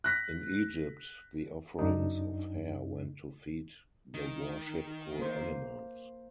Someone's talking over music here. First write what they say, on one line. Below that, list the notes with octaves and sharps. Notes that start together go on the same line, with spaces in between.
In Egypt the offerings of hair went to feed the worshipful animals.
F#6 A#6 B6
F#2 D4 D#4
D#3
A#3 C5